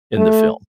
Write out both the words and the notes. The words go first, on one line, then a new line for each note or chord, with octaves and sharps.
in the film.
A3